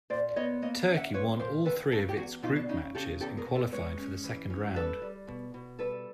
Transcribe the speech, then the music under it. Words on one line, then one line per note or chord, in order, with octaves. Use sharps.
Turkey won all three of its group matches and qualified for the second round.
A#2 C5 D5
B3 C#5 D#5
A#3 C#5 D#5
C#4
E5 F#5
A#2 B4 C#5
A#2 A#4 C5
D#2 A4 B4
C#3 G4 A4
G4
E2 F#4 G#4
B2 D#4 F4
D4
C#3 C#4 D#4
C#3 G4 A4
E2 G4 A4
G#4 A#4
B2
A4 B4
G#3 B4 C#5
C#4
E3
C#4
G3 A4 B4
G3
B2
B2
G3 A4 B4